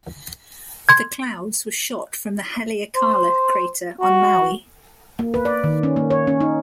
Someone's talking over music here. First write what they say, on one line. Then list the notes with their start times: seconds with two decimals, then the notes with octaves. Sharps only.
The clouds were shot from the Haleakala Crater on Maui.
0.89 C6 G#6
2.96 C5
4.01 F#4
5.19 A#3
5.34 B4
5.45 D5
5.64 D#3
5.83 C#4
5.96 A#3
6.11 C#5
6.27 C#4
6.41 D#4